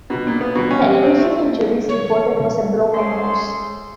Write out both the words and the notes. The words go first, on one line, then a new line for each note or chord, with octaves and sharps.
The initial injuries reported was a broken nose.
B2
A#2
B3
B2
C#4
C3
C4
A3
C#5
C#4 G#4 A4 C5 C6